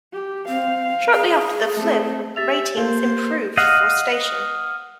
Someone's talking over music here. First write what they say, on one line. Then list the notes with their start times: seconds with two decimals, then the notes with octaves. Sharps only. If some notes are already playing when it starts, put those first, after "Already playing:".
Shortly after the flip, ratings improved for station.
0.13 G4
0.48 C4 F5
1.14 G#4
1.76 A3 C4
2.36 G4 E5 A6 F7
2.77 A#3 C5
3.57 D#5 F5 F#5